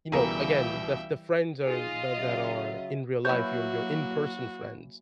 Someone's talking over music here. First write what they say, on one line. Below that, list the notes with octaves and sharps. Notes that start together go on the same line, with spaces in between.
you know, again, the the friends are that that are in real life, your your in-person friends,
C#2 B2 E3 G3 G#4 A#4 E5 G5
D#4 F4 G#4 D#5 F5
C#3 F#3 E5
E3 F#3 A#3 E4 F#4 C#5 G6